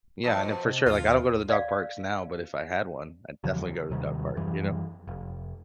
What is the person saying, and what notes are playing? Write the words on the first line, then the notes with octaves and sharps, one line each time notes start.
Yeah, and then for sure, like, I don't go to the dog parks now, but if I had one, I'd definitely go to the dog park, you know?
F2 B2
C3
D#2 F4
D5 F5
E2 C#3 F3 F#3
D#2 C3 D#3 G3
F#2 E3 G3
F1